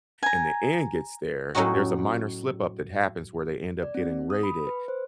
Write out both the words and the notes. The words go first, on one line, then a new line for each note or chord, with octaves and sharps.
And the end gets there, there's a minor slip-up that happens where they end up getting raided,
G#5 A#5
A2 F#3 C#4 D#4 F#4
D5
C4
D#6
B5
B4
C5